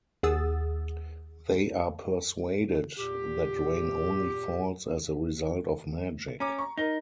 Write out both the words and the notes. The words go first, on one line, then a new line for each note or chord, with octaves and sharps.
They are persuaded that rain only falls as a result of magic.
D#2 G#4 F#5 D#6 E6 A6
E2 A#2 G4
C#4 A#5 D6
A#5 C#6
D#4 A#4 G7